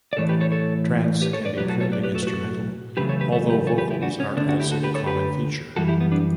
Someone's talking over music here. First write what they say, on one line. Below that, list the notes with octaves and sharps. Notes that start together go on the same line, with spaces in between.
Trance can be purely instrumental, although vocals are also a common feature.
D5
A2 E3 A3 A4 C#5
G4 B4
A4 C#5
A4 C#5
G4 B4
A4 C#5
B4 D5
B1 A2 F#3 G4 B4
F#4 A4
A4 C#5
B4 D5
G4 B4
F#4 A4
B4
F#4 A4
E2 C#3 F#3 A3 G4 B4
A4 C#5
G4 B4
A4 C#5
G4 B4
A4 C#5
G4 B4
E4 G4
D4 F#4
C#4
D2 D3 A3 B3 D4
D4 F#4
E4 G4
F#4 A4
G4 B4
A4 C#5
G4 B4
F#2 E3 G3 F#4 A4
E4 G4
B3
B3 D4